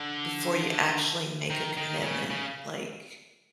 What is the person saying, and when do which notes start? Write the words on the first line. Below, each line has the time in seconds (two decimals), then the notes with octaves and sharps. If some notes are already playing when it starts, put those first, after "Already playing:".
before you actually make a commitment, like
Already playing: D3
1.50 D#3
1.77 D#3
2.03 C#3
2.30 C#3